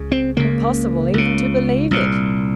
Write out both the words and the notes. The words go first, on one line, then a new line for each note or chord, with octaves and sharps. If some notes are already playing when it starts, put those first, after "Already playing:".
Impossible even to believe it!
Already playing: C#2 C#3
C4
C#2 C#3 A#3
C#2 C#3
C2 A#2